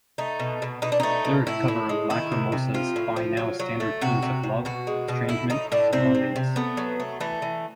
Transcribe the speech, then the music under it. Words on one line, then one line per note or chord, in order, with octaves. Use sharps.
Lyrics cover Lacrimosa's by-now standard themes of love, estrangement and loneliness.
A3 D#4
B2
B2
B2 D#4
D4
A3 D#4
B2
A2 E4
A2
G#3
D#3 E4
C3
C3
F3 F4
A2
F3
F#3
F#3
A3
C3 F#4
C3
C3
B2 F#4
G#3
B2
A2 E4
A2 D#4
A2 D4
C3 C4
C3
C3
A3 B3
F#3
A3
E3 A3
E3